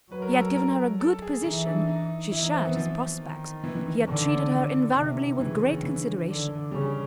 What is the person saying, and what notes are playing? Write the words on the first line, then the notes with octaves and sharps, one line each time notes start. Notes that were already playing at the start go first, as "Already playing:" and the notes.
He had given her a good position--she shared his prospects--he had treated her invariably with great consideration.
F#3 B4
A#4
A4
A#4
A#4
A4
G#4
E3 D#4
D4
D#4
E3 E4
D#4
C4
B3
F3
D#3
E3
E3
D#3
D3 D#3
D#3
D3
C3 D#3
C#3 E3
D3
D#3
E3
D3
C#3 G3